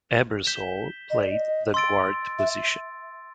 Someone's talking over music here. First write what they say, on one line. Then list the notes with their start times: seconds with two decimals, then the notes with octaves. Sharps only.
Ebersole played the guard position.
0.46 G6 B6 E7 G7
1.10 D#5
1.20 D5
1.31 D#5
1.74 C6 E6 A6 D7
2.39 E5